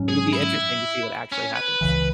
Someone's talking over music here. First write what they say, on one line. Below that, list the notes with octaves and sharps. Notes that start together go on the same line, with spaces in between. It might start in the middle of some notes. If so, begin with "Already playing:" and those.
it would be interesting to see what actually happens.
Already playing: G#2 F#3 C#4
G#4
E4
C#4
B4
C#2 C#3 E3